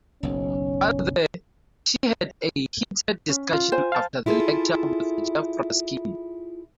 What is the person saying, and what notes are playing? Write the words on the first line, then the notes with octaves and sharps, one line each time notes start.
While there, she had "a heated discussion after the lecture" with Jef Raskin.
F#1 B1 C#4
C#4
F4
C5 G#5
F5 A5
E4 F4 G#4 A4